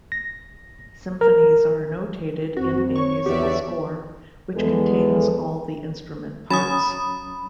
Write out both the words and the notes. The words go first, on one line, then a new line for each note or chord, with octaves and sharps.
Symphonies are notated in a musical score, which contains all the instrument parts.
A#6
A#4
F#2 C4 F#4
C#5 C#6
E2 F#4 G4 D5 E5
E2 E3 G#3 B3 A4
F#3 C#4 B5 D#6 A6